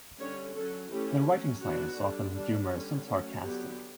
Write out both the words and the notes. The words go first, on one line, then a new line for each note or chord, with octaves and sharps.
The writing style is often humorous and sarcastic.
D3 G3 C#4 C#5
F#3 C#4 A4
E3 A3 C#4 G4
F#3 C#4
F#3 B3 D4 F#4
D3 G3 D4
G3 D4
D3 G3 C#4
F#3 A3 C#4
D3 F#3 B3 G4